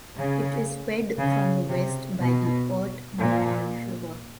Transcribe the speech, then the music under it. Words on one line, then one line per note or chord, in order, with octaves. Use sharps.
It is fed from the west by the Urt Moron River.
C#3
C#3
C3
B2
A#2